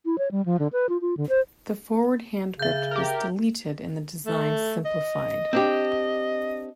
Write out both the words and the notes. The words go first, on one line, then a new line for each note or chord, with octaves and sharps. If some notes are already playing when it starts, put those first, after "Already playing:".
The forward hand grip was deleted, and the design simplified.
E4
C#5
G3
F3
D3
B4
F4
F4
D3
C5
C#3 E5 G6
G4 A#4
A3
D#5
C4 D4 G4